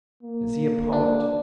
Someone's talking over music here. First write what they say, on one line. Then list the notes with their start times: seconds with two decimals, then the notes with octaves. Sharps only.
Is he a poet?
0.23 A#3
0.93 D4